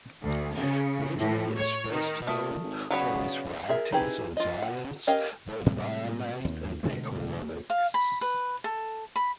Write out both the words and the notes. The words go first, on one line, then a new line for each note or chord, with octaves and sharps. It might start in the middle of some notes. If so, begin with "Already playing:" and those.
Ridley is best known for his writings on science, the environment, and economics.
D2
C#3
A2
C#5
D#3
A#2 A3 A5 D#6 F6
G#1
C#3 F#3 B3 C#5 D5 F#5 B5
G#4 A#4 E5
D#4 E4 G4 G#4 B4
F4 D#5
F#5
C#4 G4 A#4 D#5 F5
A2 C3 G3 G#3
D#2
B2 D3 G#3 A3
F5
B5
B4
A4
B5